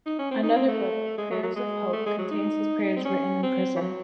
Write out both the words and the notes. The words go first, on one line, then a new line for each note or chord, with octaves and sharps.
Another book, "Prayers of Hope", contains his prayers written in prison.
D#4
C#4
C4
D#4
C4
A3
G#3
F#3
F#3
G#3
A3
G#3
F#3
D#4
C4
C#4
C4
E3
F#3